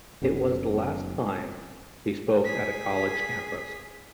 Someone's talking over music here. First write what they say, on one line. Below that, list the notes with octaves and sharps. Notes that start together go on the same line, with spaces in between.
It was the last time he spoke at a college campus.
F#1 F#2 B2 C#4
G#4 B6